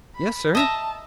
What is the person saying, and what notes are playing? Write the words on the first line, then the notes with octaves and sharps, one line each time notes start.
"Yes, sir."
B5
D#5 E5 A5 A#5